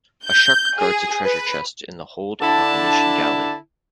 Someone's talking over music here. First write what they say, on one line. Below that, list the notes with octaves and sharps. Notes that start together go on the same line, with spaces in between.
A shark guards a treasure chest in the hold of a Venetian galley.
G6
G#4
B4
D3 D4 E4 A5